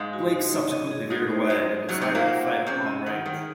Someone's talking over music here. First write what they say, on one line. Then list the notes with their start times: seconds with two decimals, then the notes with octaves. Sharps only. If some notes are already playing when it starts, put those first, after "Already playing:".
Blake subsequently veered away and decided to fight at long range.
Already playing: G#2 G#3 F5
0.13 F#4
0.33 D#4
0.53 C#5
0.71 D#5
0.91 G#4
1.10 G#2 G#3 D#4
1.30 C5
1.50 G#2 G#3 D#5
1.69 G#4
1.89 F#2 F#3 D#4
2.02 C3 C4
2.08 C5
2.15 A#2 A#3
2.28 F#5
2.48 G#4
2.67 C3 C4 C#4
2.86 D#5
3.06 D#3 F#5
3.26 D#3 G#4